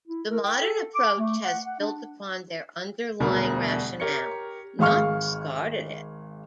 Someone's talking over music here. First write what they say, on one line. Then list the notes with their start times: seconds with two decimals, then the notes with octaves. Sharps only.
The modern approach has built upon their underlying rationale, not discarded it.
0.08 E4
0.31 A#4
0.44 G5
0.61 A4
0.95 D6
1.19 A3
1.44 F#5
1.66 F#5
1.80 D4
3.20 E1 D2 B2 G3 D4 A#4
4.00 G4 A#4 C#5 C#7
4.79 G#1 G#4 F5 C#6 F6